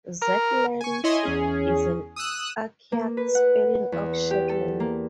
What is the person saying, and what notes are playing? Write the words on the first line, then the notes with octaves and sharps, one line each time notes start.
Zetland is an archaic spelling of Shetland.
A#4
G#5 C#6
E4 C#5 D#5 G#5 C6
E2 C#4 G#4
D#6 E6 F#6
A#3
B4
F#5
E2
G4
A4
A#3